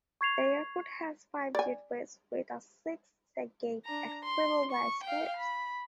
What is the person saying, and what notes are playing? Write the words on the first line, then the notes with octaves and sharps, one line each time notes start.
The airport has five jetways with a sixth gate accessible via stairs.
C#6 G#6 C7 F7
D5 G#5
D4 A#5
C6
C#6
F5 G5
B5